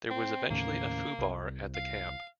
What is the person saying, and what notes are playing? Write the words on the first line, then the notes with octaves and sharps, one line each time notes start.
There was eventually a Foo Bar at the camp.
C4
D#2 A2 C#3 A#3
C2
F5